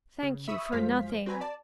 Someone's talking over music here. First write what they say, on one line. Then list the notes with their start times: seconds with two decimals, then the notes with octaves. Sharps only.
"Thank you for nothing."
0.23 C#3
0.48 E5 B5 C#6 D#6 E6
0.72 F#2 F3 G#3 C5 F5 B6
1.26 C4 F#4 B4 G#5 A#5 B5
1.41 D5 A5